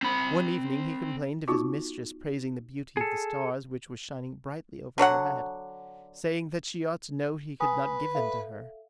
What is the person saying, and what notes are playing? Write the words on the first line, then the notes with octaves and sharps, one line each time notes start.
One evening he complained of his mistress praising the beauty of the stars which were shining brightly over her head, saying that she ought to know he could not give them to her.
C4 B5
B3 D#4 F4 F#4 C#6 D6
G#4 A4
D3 F#3 C#5 F#5
B4 G#5 D#6
A4 E5 F5